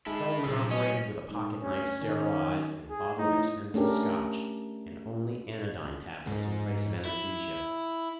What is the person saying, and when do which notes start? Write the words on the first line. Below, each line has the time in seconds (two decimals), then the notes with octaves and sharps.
Feldman operated with a pocketknife sterilized in a bottle of expensive Scotch and only anodyne tablets in place of anesthesia.
0.06 G#3 D#4 E4 G#4 A4
0.45 A#2 F3 F#3 A4
0.70 A2 C#4 D#5
1.30 G#2
1.62 D2 C#4
2.01 D#3 C#4
2.90 G#4
3.18 A2 D#4
3.74 A3 C#4 D4 G4 A#4
6.27 G#2
7.05 E4